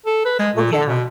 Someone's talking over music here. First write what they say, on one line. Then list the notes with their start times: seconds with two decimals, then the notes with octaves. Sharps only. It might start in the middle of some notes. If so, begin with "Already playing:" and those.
Oh, yeah.
0.06 A4
0.25 B4
0.39 G#3
0.56 A#2
0.72 A4
0.88 B2